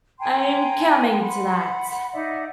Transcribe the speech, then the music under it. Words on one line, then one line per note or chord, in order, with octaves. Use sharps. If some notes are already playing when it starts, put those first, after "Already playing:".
Iâm coming to that.
G5 G#5 A#5 C6
F#5 B5 C6
D#4 D5 E5 F#5